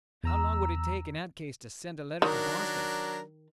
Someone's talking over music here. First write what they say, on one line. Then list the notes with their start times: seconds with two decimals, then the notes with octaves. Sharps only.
How long would it take, in that case, to send a letter to Boston?
0.23 E2 A#5 E6
2.22 D#3 F#3 D4 A#4